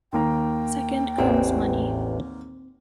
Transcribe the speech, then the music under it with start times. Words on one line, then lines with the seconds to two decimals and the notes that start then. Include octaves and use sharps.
Second comes money.
0.13 D#2 A#3 G5 A#5
1.18 A1 E2 C4